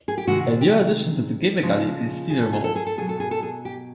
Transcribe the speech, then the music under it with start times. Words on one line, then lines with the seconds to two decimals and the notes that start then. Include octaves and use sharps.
A new addition to the game mechanics is Fever mode.
0.08 G#4
0.18 G4
0.27 C3 D#3 G#3 F#4
0.61 G4
1.62 C#3 F3 G#3
2.30 G#4
2.41 A4
2.53 G#4
2.64 A4
2.75 G#4
2.87 A4
2.98 B2 F#3 G#4
3.09 A4
3.20 G#4
3.31 A4
3.43 G#4
3.65 G4